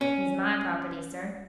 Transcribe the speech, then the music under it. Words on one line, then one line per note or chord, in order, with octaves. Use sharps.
"He's my property, sir."
C#4